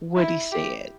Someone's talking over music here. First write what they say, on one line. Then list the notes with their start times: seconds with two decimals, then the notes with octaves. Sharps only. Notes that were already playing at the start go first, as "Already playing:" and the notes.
what he said,
0.16 E4
0.52 G4